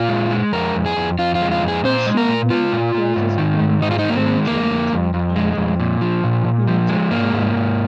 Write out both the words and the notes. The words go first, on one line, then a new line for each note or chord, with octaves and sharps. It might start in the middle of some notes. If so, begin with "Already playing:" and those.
Wo Shing Wo raises crime rate in Chinatown, London, United Kingdom.
Already playing: A#2 F4
G#3
G#3
F2 A#4
F2
G#4
F2
F2 F4
F4
G#3
F4
F2
G#4
A#2 C5
G#3
A#4
A#2
G#3 F4
A#2
A#2
G#2
D#3
G#2
G#2 D#4
F4
D#4
D#3
A#3
C4
G#3
F2 A#3
F2
F2
F2
G#3
F2
A#2
F3
A#2
A#2
F3
G#3
G#2 A#3
G#2
G#2